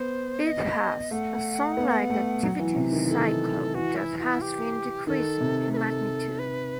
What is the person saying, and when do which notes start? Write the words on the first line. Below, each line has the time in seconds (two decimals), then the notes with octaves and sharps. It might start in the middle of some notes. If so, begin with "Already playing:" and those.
It has a Sun-like activity cycle that has been decreasing in magnitude.
Already playing: B3 C5
0.45 D#5
1.11 A3 F#5
1.77 B3
2.10 A3
2.43 F#3
2.59 E3
2.76 C3
2.92 D#3
3.06 E3 A4
3.18 D#3
3.74 E3 F#4
3.96 E4
4.19 F#4
4.23 E4
4.41 G4
5.07 D#3 A4
5.40 C3
5.73 B4
5.77 A4
6.39 B4